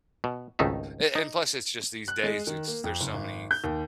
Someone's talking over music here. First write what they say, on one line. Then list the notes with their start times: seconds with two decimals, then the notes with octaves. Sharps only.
eh, and, plus, it's just these days, it's there's so many
0.24 B2
0.59 G#1 C#2 D#3 A3 D#4 E5
1.15 D#4
2.08 F#6
2.23 G#3
2.47 D#3
2.67 A#3
2.84 F2
3.00 F#1
3.14 G#1
3.51 G6
3.64 D#2